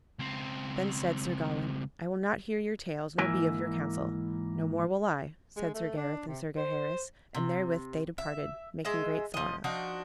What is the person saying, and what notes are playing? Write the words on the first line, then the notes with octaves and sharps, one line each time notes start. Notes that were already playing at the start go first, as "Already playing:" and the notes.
Then said Sir Gawain, "I will not hear your tales nor be of your counsel." "No more will I," said Sir Gareth and Sir Gaheris, and therewith they departed, making great sorrow.
C#2 C4
G#2 E3 A#3 E4 A#4 G#5
G#3
A3
D4
C3
C5
C3
E5
G#3 D#5 E5
F3 D#5
F3 D4 D#4 F#4